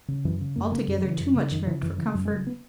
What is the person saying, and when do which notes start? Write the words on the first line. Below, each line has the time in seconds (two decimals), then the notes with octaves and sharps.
Altogether too much married for comfort.
0.08 C#3
0.25 F#2 E3
0.41 C#3
0.56 F#2 A#3
0.71 C#3 A#3
0.88 F#2
0.98 F#3
1.04 C#3 E3
1.20 F#2
1.35 C#3
1.51 F#2 D#3
1.67 C#3 E3
1.82 F#2 E3
1.98 C#3 E3
2.14 F#2 F#3
2.25 G#3
2.31 C#3 F#3
2.47 B3